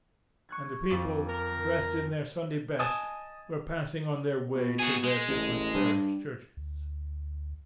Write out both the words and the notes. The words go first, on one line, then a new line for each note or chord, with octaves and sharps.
And the people, dressed in their Sunday best, were passing on their way to their different parish churches.
C#6 F#6 G#6
F2 D6 A6
A#4
D#5 G#5 A5 D#6
B2
F#4 G#4
G#3
A1
G2
D2